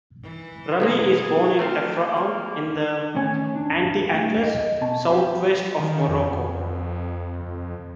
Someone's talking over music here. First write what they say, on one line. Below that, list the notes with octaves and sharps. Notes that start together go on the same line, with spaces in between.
Rami is born in Tafraout in the Anti-Atlas, southwest of Morocco.
E3
B1 C3 A#3 G#4 A4 B4
A3 C4 E4 A#4 C5
A#3
A2 D#3 C#4 C#5 G#5
D4
A3 F5 G5
D#5
B2 A5
F2 F4 G4
D#3
F2